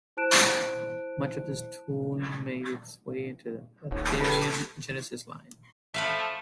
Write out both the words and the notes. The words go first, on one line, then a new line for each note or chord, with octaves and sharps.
Much of this tooling made its way into the Athearn Genesis line.
E4 C5 A5 F#6 D7 E7
D#1 D#2 C#5
G4 A4 B4 A5
F3 A3 E5 F5 B5